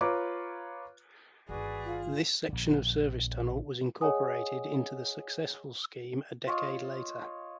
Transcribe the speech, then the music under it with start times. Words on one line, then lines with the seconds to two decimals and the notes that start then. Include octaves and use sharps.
This section of service tunnel was incorporated into the successful scheme a decade later.
0.01 F4 B4 C#5 A#5 D6
1.49 G1 D#3 F#4 G#4 B4 D5
1.85 F4
2.49 A#1 D3
4.01 G#4 C#5 D#5 F#5 G#5 D#6
6.47 F4 C#5 D#5